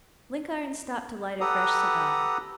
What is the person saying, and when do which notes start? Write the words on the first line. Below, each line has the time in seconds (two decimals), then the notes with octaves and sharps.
Blenkiron stopped to light a fresh cigar.
1.41 G4 A4 B4 F#5 A#5 D#6